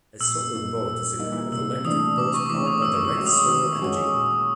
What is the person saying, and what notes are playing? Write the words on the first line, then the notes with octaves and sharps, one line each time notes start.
A solar boat is a kind of electric boat powered by direct solar energy.
A#2 E6
G3 A#3 D#4
A#2
G3 A#3 D#4
C3 E6
E3 A3 D4 D#6
C3 D6
C#6
D#6
E3 A3 D4 D6
D#6
D#3 E6
E6
G#3 C#4 F#4
D#6
D#3 E6
G#3 C#4 F#4
A#2